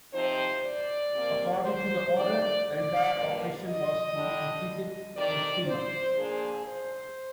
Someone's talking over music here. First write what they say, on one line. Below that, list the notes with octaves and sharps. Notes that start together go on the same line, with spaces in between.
According to the Order, the entire operation was to be completed in three months.
C3 F3 C4 D#4 C5
D5
C3 F3 A#3
C5
D2 C3 D#3 D5
D5
G2 D3 F3 A#3
D#5
D3 G3 D4
F2 C3 D#3 D5
C5
A#2 F3 A#3 D4 G#4
C5